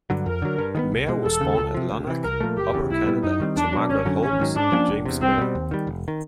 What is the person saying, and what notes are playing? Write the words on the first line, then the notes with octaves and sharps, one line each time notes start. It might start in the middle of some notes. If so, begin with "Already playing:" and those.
Mair was born at Lanark, Upper Canada, to Margaret Holmes and James Mair.
G2 D3 F#3
F2 A#4
D3 F#3
G2
D#3 G3 B3
C2
B2 G#3
E1 A4
D#2 C#3
C#2
C3 F3
D2
C3 E3
C2 A#4
A#2 F3 A3
F#1 G4
E2 C#3
B1 E4
A#2 G3 B3
F#2 D#4
D#3 G3 C4
E2 D4
B2 F#3
G#1 C#4
F#2 D3 F#3
A1 C#4
G#2 D#3 F#3
G#2 D4
F3 A#3 C#4
F1
E2 C3
C2 C4
B2 G3
D#2
D#3 G3
F1
D#3